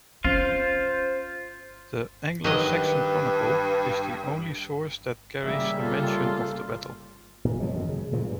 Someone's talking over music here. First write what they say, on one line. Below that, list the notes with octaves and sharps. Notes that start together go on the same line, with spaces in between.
The "Anglo-Saxon Chronicle" is the only source that carries a mention of the battle.
C#4 F4 C5
G2 D#3 F#3 B4 D#5
C#3 G3 A#3 E5
F4 A4
A#2
B2 F3 F#3 G#3
F#2 D#3
C#3
A#2 C#3 F3
G2